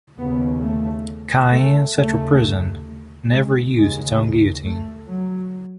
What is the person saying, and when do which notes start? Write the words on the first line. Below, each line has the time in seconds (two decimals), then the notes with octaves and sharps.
Cayenne Central Prison never used its own guillotine.
0.17 D#2 C#3 B3
0.62 A3
1.52 A3
1.96 D#2 C#3 A3
3.30 G#3
3.74 D#2 C#3 G#3
4.64 A3
5.09 F#3